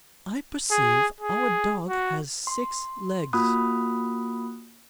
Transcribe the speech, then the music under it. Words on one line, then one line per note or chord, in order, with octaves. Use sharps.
"I perceive our dog has six legs."
G#4
G#4
F#4
C6
A#3 F4 F#4 B5 D#6 F#6